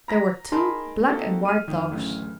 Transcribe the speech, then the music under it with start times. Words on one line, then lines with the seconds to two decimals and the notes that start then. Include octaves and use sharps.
There were two black and white dogs.
0.08 A#5 A#6 B6
0.52 D#4 G#4 A#4 A5 B5 C6
1.07 A#3 C4 D#4 F#4 G4 A4
1.45 F6 D#7
1.68 F2 D#3
1.91 D1 A1 C#3 A3